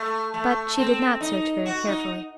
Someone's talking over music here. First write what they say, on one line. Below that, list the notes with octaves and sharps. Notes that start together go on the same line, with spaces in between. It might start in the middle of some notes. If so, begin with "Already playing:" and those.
But she did not search very carefully.
Already playing: A3
A3
C4
D#4
F#4
D#4